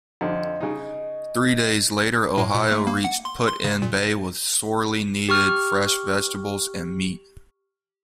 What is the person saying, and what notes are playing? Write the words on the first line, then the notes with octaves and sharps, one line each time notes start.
Three days later "Ohio" reached Put-in Bay with sorely needed fresh vegetables and meat.
F2 D3 D#5
C#3 D#4
A2
A#2
A3
A#3
F#5
C6
C6
C#3
A#2
G4 C#6 F6